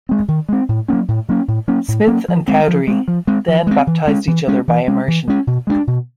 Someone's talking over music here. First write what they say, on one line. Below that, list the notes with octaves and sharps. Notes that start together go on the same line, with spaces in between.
Smith and Cowdery then baptized each other by immersion.
G#3 C4
D#3
G#3 C4
A2
F#3 A#3 C#4
A2
F#3 A#3 C#4
A2
F#3 A#3 C#4
A2
F#3 A#3 C#4
F3
G#3 C4
F3
G#3 C4
F3
G#3 C4
F3
G#3 C4
E3
G#3 C#4
E3
G#3 C#4
E3
G#3 C#4
E3
G#3 C#4
B2
G#3 B3 D4
B2